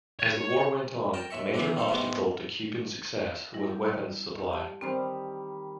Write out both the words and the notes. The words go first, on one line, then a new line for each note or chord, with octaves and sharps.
As the war went on, the major obstacle to Cuban success was weapons supply.
C#5
A#4 G5 A5
D#2 E5 C#6
E3 F#3 B3 D4
D#3 C4 A4
G#2 B2 G3 A3 B3
G3 E4
G5
G4 A5
D#3 G3 C4 C5